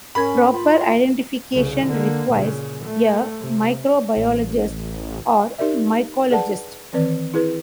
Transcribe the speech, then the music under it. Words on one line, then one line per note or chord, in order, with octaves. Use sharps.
Proper identification requires a microbiologist or mycologist.
G#2 C#4 A#4 B5 G#6
F4
C2 C#3
D3 A#3
A#2 C#3
A3
C3
A1
D#4 G4 A#4 D5 E5
G#4 B4 D5 F#5 A5
D#3 E3 C4 B4 D5
E4 G#4 B4